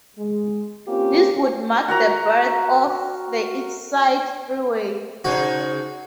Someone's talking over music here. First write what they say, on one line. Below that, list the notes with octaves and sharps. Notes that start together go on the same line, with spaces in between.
This would mark the birth of the Eastside Freeway.
G#3
A#3 C4 C#4 F4 G4
F#4 A#4 A#5
C#3 D#4 F#4 G#4 C5